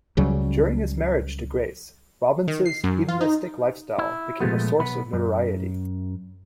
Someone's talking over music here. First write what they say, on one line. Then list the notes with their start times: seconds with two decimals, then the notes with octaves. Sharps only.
During his marriage to Grace, Robbins's hedonistic lifestyle became a source of notoriety.
0.17 C#2 C#3 F#3 G3
2.48 D#3
2.66 C7
2.84 F#2
3.09 F4
3.21 D#4
3.98 E4
4.40 A#2 F3 G#3 A3 B3
4.79 B1 B3 B5
5.13 F#2